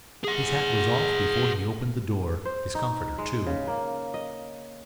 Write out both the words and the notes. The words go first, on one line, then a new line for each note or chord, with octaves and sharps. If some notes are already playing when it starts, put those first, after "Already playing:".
His hat was off, before he opened the door; his comforter too.
G#4 F#5
C5
D#4
G#3
C#3
A#3
D#5